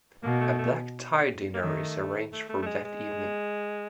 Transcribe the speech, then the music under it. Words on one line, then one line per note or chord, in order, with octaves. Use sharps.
A black tie dinner is arranged for that evening.
B2 A#3
A3
A3
A#3
D#3 A3
A3
A3
A3
G#3
G#3